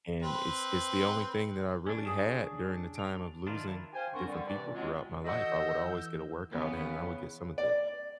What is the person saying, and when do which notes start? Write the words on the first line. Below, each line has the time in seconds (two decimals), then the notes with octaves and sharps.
and it's it's the only thing that I really had during the time of losing different people throughout my life. I would always get a workout in, and I would get some of the
0.23 C4 B4
1.87 C#4 D4
2.05 G#4 D#6 E7
2.95 D7 F7
3.47 D#3 D4 E4 F4 A#4
3.93 G4 C5 F5 G#5
4.13 B3 C4 D4 A#4 C6 C#6
4.27 D3 G3
4.46 G2 C3 E3 D5
4.73 F#3 G#3 C4 C#4 F4
5.24 E3 F#4 A4 D#5 F#5 E6 G6
6.52 C#3 E3 B3
7.58 D5